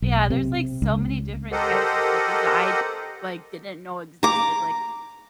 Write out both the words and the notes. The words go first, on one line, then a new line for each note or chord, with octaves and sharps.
Yeah, there's, like, so many different types of stitches that I, like, didn't know existed, like,
B1
C3
C#2
G4 A4 A#4 C5 D#5 F#5
A#5 D6